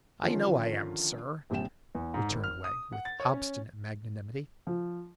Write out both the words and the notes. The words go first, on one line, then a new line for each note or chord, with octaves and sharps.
'I know I am, sir,' returned Wegg, with obstinate magnanimity.
D3 D#3 F3 C#4 F4
D#1 A#1 C3 G3 G5 E7
E2
G#2
G#1
F6
D#6
F#5
A6
C#5
C#4
F3